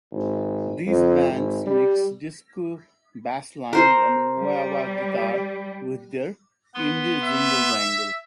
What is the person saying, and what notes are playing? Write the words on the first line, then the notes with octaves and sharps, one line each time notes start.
These bands mixed disco basslines and wah-wah guitar with their indie jingle-jangle.
G#1
F2
G#1
G3
A#4 C5
G3
B3 B4 C6
E5